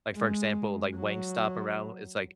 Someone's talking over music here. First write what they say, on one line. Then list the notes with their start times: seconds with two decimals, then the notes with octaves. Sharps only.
like for example, like Wingstop, around w it's like
0.15 G#3
0.96 F#3